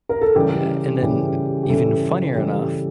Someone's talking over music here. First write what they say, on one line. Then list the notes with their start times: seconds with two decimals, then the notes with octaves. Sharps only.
Yeah, and then even funnier enough,
0.09 A#4
0.21 A4
0.35 C#3 E3 G3 G4
1.02 C#3 E3 G3
1.63 G4
1.68 C#3 E3 G3 A4
2.35 C#3 E3 G3